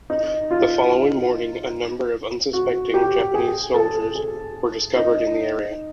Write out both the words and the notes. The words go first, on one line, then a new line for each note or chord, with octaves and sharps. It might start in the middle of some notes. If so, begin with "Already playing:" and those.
The following morning a number of unsuspecting Japanese soldiers were discovered in the area.
D#4
F4
F#4
G4
G#4
A4
G#4
D#4